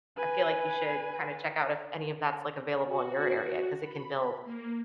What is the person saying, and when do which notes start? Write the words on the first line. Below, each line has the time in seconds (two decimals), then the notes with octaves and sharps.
I feel like you should kinda check out if any of that's, like, available in your area 'cause it can build,
0.16 B4 G#5
2.86 F#4
3.80 B5
4.44 A#3